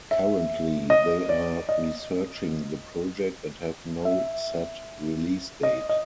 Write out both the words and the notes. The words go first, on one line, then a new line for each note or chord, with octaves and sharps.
Currently they are researching the project and have no set release date.
E5
D#5
D5
D#5
E5
D#5
D#5